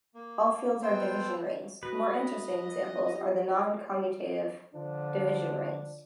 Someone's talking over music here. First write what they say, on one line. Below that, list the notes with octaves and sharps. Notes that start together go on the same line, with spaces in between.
All fields are division rings; more interesting examples are the non-commutative division rings.
A#3
B3 A4 C5 G5 C6 E6
F#4 B4 D#5
F4 G4 D5
D3 F3 D4